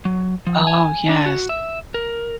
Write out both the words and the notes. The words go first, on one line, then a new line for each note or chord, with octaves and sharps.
Oh, yes.
F#3
F3
G#5
D4
F#4
E5
A#4